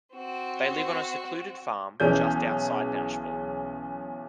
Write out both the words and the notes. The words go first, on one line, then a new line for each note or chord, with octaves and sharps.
They live on a secluded farm just outside Nashville.
C4 F#4
B1 E3 C#4 G#4 G6